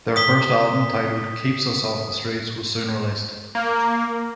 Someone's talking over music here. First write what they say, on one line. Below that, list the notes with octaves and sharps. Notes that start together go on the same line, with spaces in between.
Their first album, titled "Keeps Us Off the Streets", was soon released.
D#6 B6 G7
A#3